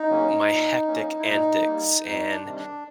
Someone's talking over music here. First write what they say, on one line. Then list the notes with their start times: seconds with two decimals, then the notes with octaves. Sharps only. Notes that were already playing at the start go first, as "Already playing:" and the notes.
my hectic antics and
Already playing: D#4
0.10 C#3 F#3 A#3 C#4
0.49 A#2
0.88 F3 A#3 C#4
1.19 E4
1.27 A#2 D#4
1.65 G3 A#3
2.04 F2 D#4
2.31 D4
2.43 C3 D#3 G3
2.56 D4